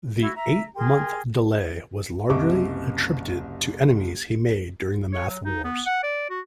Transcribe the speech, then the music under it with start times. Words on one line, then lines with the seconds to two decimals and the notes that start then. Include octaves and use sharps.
The eight-month delay was largely attributed to enemies he made during the Math Wars.
0.19 E4 F#4
0.35 E5 A#5
0.75 G4 G#4 A#4 C6
2.30 F#1 C2 D#5 E5 C#6 D6
5.13 C#5
5.29 F#3
5.45 D#4
5.64 B3
5.86 F#5
6.03 D5
6.30 F#4